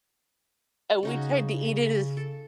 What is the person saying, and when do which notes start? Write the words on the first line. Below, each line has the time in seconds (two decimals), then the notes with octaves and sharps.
And we tried to eat it as
1.03 C#3 C#4 D#4 F#4
2.17 A4